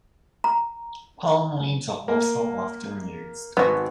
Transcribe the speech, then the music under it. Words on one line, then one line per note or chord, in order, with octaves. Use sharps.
Palm leaves are also often used.
A#5
A#3
G#1 B3 F#4